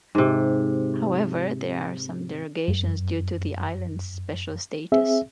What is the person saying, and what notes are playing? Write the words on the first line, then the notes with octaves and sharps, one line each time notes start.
However, there are some derogations due to the islands' special status.
G#2 C3
F#2
C4 G#4 E5